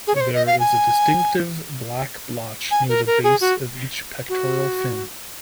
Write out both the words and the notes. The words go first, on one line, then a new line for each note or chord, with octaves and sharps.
There is a distinctive black blotch near the base of each pectoral fin.
G#4
C#5
C5
D#5
F5
G#5
G#5
A#4
A#4
G#4
F#4
F#4